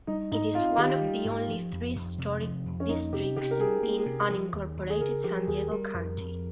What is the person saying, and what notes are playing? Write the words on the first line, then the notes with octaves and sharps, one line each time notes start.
It is one of only three historic districts in unincorporated San Diego County.
G3 D#4
G#2 D#4
C4 F4
D#3 G4
G3
G#2
F3
F2
F2
C3
F3
F2
C#4
A#3 D#4
C3 G4
C3 G4
A#4
G3 G#4
A#3
C3
F3
D#2
D#2
G#4
C#3 A#4
F3 G4
D#2 G#4
G3 A#4
F2
F2